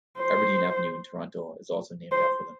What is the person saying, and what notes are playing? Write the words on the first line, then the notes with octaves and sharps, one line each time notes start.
Aberdeen Avenue in Toronto is also named after them.
C5
C5